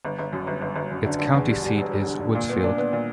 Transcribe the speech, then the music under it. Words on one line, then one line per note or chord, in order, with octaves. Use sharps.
Its county seat is Woodsfield.
G1
G1
F#2
G1
G1
G1
F#2
D3
D3
E2
G3
G3
E1
G3
D3
D3
A#2
B3
D4
B3
A#2